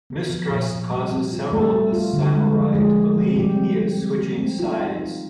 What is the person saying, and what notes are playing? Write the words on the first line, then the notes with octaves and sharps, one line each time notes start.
Mistrust causes several of the samurai to believe he is switching sides.
B3
F3
A#2
A#2
G3
C4
F4
G3 A3 A4
G3
F4
D3
G#3
F3
G#3 G#4
F3
F3
B2 G3 G4
C4
G#3
C4
C4
C4
D#4 F4
D#4
D#4